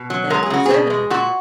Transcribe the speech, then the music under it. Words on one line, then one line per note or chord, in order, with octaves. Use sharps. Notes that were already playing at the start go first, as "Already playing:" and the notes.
That is evident.
Already playing: B2
F#3
G#3 A#4
G#4
C#3 F#4
B2 G#4
G#3
A#2 F#4